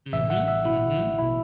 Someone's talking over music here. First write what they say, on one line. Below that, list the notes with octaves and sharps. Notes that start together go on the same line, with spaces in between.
Mhm, mhm.
A1 A2 E3 E5
F#5
E5
E4
B2 E4